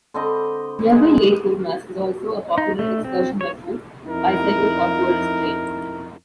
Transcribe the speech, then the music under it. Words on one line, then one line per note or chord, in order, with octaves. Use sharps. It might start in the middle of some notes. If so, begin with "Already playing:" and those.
Nearby Lake Kournas is also a popular excursion by foot, bicycle or tourist 'train'.
D3 C4 D#5 B5
G#3
D#4
A3
C4
C#5
F2 D#4 E4 A#4